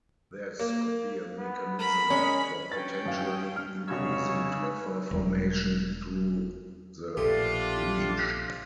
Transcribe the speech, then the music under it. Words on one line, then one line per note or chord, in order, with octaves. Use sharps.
This could be a mechanism for potentially increasing tufa formation through the reach.
A#3
B3
A#4 B5
G#3 C#4
C#4 B4 G5 A6
F#2 F5
F6
F1 C#3 F#4 C#5 E6 G#6
B4
E1 E2 G3
A#1 B2 D3 A3 D4 F4 G4